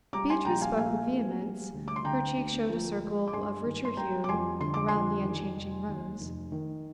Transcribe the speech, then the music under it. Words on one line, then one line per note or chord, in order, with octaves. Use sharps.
Beatrice spoke with vehemence; her cheeks showed a circle of richer hue around the unchanging rose.
G3 A#5 D6
G#5 C6
A#1 G5 A#5
F5 G#5
A#2 F5 G#5
A#1
G3
D2
D6
C6
D3 G5 A#5
D2
F3
G#3
D6
G2 G#5 C6
G#1
C6
G3 G5 A#5
D6
F2 G#5 C6
D3 C6
D6
F2 G#5 C6
D#3
F1
D#2
F1
D#3